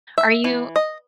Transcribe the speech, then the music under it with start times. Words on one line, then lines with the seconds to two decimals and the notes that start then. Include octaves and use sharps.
Are you
0.18 E5
0.44 E3
0.76 D#5